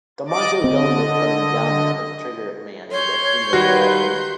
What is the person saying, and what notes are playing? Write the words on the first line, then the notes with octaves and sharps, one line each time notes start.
The Marcos government claimed Galman was the trigger man in Aquino's assassination.
D5 D#5 D6
D3 C4 D#5
C#5 C6 G6
D#3 G3 F#4 B4